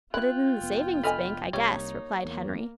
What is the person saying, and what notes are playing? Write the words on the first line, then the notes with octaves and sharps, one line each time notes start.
"Put it in the savings bank, I guess," replied Henry.
E4 F4 G5 F#6
F1 B3
D3 D#5 G#5 B5 F6
C2 G3 A#3 D#4 C#5
E2 A#3